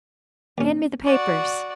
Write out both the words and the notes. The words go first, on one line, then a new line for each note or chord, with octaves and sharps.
Hand me the papers.'
D#2 C#4
F#4 D5